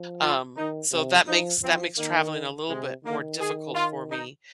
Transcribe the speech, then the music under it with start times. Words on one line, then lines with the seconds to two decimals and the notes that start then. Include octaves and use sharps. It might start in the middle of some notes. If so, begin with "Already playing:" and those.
Um, so, that makes, that makes traveling a little bit more difficult for me.
Already playing: F3
0.21 F4
0.57 D#3 D#4
0.92 C3
1.27 F3 D#4
1.63 F3 C4
1.98 D#3 A#3
2.69 C3 G#3
3.04 D#3 A#3
3.40 G#4
3.75 F4
4.11 D#4